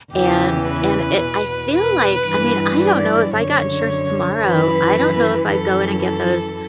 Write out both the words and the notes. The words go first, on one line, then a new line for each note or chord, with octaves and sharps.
and and it I feel like I mean, I don't know if I got insurance tomorrow, I don't know if I'd go in and get those
E2 C#3 E3 G4
B4
E2 B2
B4
G2 E3
D5
F#2 D3 C#5
F#2 E3 B4
F#2 E3 A4
A4